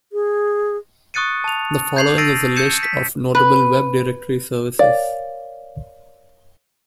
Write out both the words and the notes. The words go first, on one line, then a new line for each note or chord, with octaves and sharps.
The following is a list of notable Web directory services.
G#4
C#6 D#6 F#6 A6 C#7 D#7
A5 F7
G6 G#6 C7 F7 F#7
E6 A6 A#6 C7 D7 D#7
G6 G#6 C#7 D#7 E7
B6
B4
A#4 C#5 D5 F5